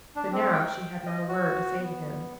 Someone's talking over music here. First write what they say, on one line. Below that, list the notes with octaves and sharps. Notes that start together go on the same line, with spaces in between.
But now she had not a word to say to him.
D4
C4
G5
D#5
F#4
B3